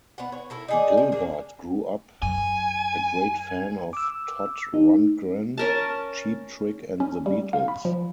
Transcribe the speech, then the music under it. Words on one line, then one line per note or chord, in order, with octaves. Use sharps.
Gilbert grew up a great fan of Todd Rundgren, Cheap Trick and The Beatles.
B3 F#5
C#5
E4 A4 A#4
D#4 G#4 D5
F3
A#3 D4 G#4
F#2 G#5
D6 E6
D#4
C#4 A#4 A5
C#4
G3
F5
B5
F3